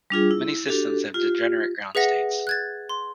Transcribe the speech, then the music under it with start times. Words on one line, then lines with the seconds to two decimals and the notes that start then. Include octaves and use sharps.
Many systems have degenerate ground states.
0.10 G3 D4 F4 G#4
0.31 E4
0.68 D4 F#4 G4 A4
1.14 F4 G4
1.95 G#4 B4 E5 F#5 A#6
2.47 F#6 G#6 A6
2.89 C6